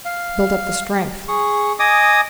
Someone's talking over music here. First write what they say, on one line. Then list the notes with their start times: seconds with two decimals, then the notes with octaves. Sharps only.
Build up the strength.
0.05 F5
1.28 G#4 C#6
1.79 D#5 G#5 D6 D#6